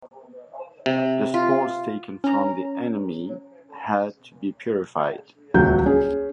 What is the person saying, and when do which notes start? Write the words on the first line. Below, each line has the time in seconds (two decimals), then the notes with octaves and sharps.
The spoils taken from the enemy had to be purified.
0.86 C3
1.34 F4
2.24 C#4 A#5
5.54 D#1 C#2 F#3 F#4 G6
5.86 C#4 G#4